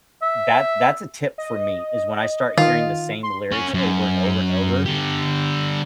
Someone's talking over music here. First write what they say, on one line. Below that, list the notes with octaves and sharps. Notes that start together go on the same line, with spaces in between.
that that's a tip for me is when I start hearing the same lyrics over and over and over,
E5
D#5
D#3 F4
C6
C#4 F#4
F#2
D3 G4